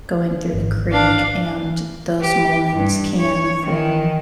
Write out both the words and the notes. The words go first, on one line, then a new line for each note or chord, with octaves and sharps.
going through the creek, and those moments can form
G#1
D4 F5
G4
G2
C#5
D#3